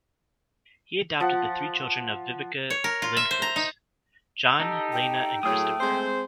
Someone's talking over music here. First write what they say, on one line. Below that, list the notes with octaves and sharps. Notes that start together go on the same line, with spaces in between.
He adopted the three children of Viveca Lindfors, John, Lena and Kristoffer.
F3 F#5
C#5
A#4
F4
E5
C5
A#5
D#4
D#4 G4 A4
G5
A2 F#3 A3 G#4 D#6
G#3 C4 C5